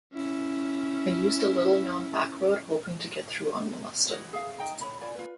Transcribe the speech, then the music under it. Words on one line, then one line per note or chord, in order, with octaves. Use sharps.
I used a little-known back road hoping to get through unmolested.
C#4 E4
E4 F#4 D#5
G#4 E5 F5
D#4 D#5 G5 A#5
C#5 B5
F4 D5 G#5
F4 B4